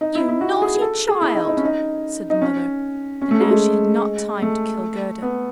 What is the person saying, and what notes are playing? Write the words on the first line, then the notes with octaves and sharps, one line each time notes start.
"You naughty child!" said the mother: and now she had not time to kill Gerda.
D#4
E4
E4
F#4
G#4
G#4
A4
G#4
E4
D#4
D#4
C#4
D#4
D#4
C#4
C#4
A3
G#3
G#3
A3
B3